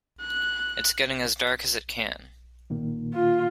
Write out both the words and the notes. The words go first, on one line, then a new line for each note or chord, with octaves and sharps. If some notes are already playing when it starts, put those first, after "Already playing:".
It’s getting as dark as it can.
F#6
A#2 D#3 A#3
F4